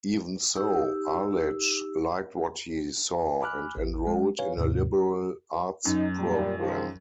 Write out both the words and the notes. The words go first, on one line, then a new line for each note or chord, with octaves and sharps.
Even so, Arledge liked what he saw and enrolled in a liberal-arts program.
D#4 G4 E6
G#5 B5 D6 F6 F#6
A1 G4
G#3
B4 C#5 F5 G#5
D#2 G#2 C3
F#2 D#4
A#2 G3
D#3 F3 G#3